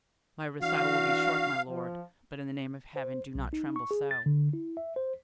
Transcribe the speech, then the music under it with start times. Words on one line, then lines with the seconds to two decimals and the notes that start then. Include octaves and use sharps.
"My recital will be short, my lord; but in the name of Heaven do not tremble so."
0.62 E3 D4 F#4 F5
1.69 F3
2.96 C5
3.35 B1
3.53 D#4
3.76 C#6
3.91 G#4
4.11 A6
4.26 D3
4.53 E4
4.77 E5
4.96 C5